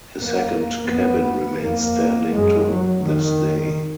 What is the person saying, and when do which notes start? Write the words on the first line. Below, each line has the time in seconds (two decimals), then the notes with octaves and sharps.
His second cabin remains standing to this day.
0.19 F2 A#3
0.91 F2 B3
1.63 F2 A#3
2.34 F#2 G#3
2.71 F#3
3.07 F2 D#3